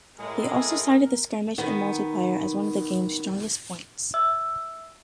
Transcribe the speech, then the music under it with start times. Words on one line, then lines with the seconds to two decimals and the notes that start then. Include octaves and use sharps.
They also cited the skirmish and multiplayer as one of the game's strongest points.
0.19 A2 G#3 G#4 A#4
1.58 D#3 B3
4.14 E5 E6